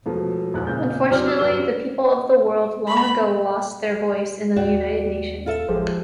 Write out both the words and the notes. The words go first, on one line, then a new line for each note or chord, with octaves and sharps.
Unfortunately, the people of the world long ago lost their voice in the United Nations.
E1 B2 F3 A3
E1 A#1 E2 F#6
A#2 C#3 G6
E2 C3 F#3 C4 D5 F6
E6
G1 F#3 B3 G4 G7
B5
D#2 F#4 D5 G5
F4 A4 E5
A1 F3 G#3 G4